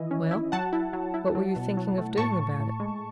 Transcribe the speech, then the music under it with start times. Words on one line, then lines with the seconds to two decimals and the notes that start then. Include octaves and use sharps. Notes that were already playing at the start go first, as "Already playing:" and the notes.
"Well--what were you thinking of doing about it?"
Already playing: D#3 E3 E4 D#5
0.11 C#4
0.31 E4
0.52 F#3 F#5 A5
0.73 E4
0.93 F#3
1.14 E4
1.35 F#3
1.56 B2
1.77 F#3
1.98 A3
2.17 A2 A5 C#6
2.39 A2
2.60 A2
2.80 G#3